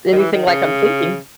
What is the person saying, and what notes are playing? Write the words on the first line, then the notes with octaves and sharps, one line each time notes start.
anything like I'm thinking
D#3
E3
D#3
C#3